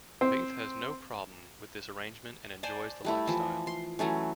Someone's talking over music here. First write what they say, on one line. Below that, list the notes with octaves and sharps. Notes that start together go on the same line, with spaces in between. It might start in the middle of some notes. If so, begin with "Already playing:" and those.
Faith has no problem with this arrangement and enjoys the lifestyle.
C4
C5 D5 G#5 A5
G3 A3 E4
E3 F3
C6
E3 F#3 A3 C#4